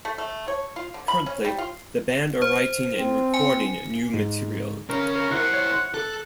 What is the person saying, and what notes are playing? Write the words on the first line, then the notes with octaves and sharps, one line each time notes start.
Currently the band are writing and recording new material.
A3
A3
C#5
F4
D3
B5
C#4
G3
F4
C5
C4
G#5
G#2
C#3 C#4 A#4
A#4
E4 C5 F#5
C#5
A4 F#6